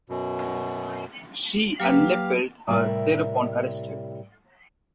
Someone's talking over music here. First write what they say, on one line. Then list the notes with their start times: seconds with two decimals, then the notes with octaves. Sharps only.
She and LePelt are thereupon arrested.
0.09 F#2 B2
1.80 F#3 A#3 G4 B4 F5 F6
2.68 A2 C3 G3 A#4 D5 E5